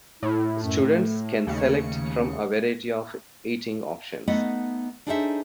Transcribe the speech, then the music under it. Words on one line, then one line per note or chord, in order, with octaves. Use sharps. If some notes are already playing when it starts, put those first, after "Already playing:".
Students can select from a variety of eating options.
A2 E4
F#2
A3
D#2 C#3 C#7
A3 B3 D#4 D#5 F#5
D4 D#4 G#4 A4 C5 E5